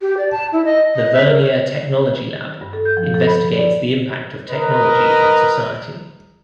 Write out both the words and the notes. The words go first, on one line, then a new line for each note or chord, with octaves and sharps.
The Vernier Technology Lab investigates the impact of technology on society.
G4
D5
A5
E4
D#5
D#5
E5
A#4
C#5
G2
A4
G6
F3
A4
B5
F3
D5
A#4 B4 D#5